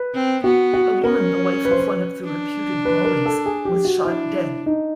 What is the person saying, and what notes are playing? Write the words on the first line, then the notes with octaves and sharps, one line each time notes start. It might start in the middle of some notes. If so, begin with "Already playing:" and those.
A woman, the wife of one of the reputed Mollies, was shot dead.
Already playing: B4
C4
B3 F#4
F#4
C#4 A#4
B4
C5
B4
D4
B4
A#4
A4
G#4
G4
F#4
D4 E4
D#4